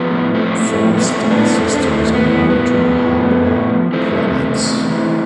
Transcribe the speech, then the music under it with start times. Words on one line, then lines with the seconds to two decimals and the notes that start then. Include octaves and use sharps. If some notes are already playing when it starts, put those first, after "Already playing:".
Four star systems are known to harbour planets.
Already playing: F3 B3
0.12 A2
0.35 F3 A3 C4
0.59 A2 A3
0.83 F3
0.97 B3
1.07 A2 A3 C4
1.24 C4
1.30 E3 B3 D4
1.54 A2 A3 C4
1.74 D4
1.78 E3 A3 C4
2.02 A2
2.14 B3
2.26 E3
2.49 A2 B3
2.74 F3
2.98 A2
3.21 F3
3.45 A2
3.69 F3
3.93 E3 A3 C4
4.16 C3
4.41 E2
4.64 E2
4.89 E3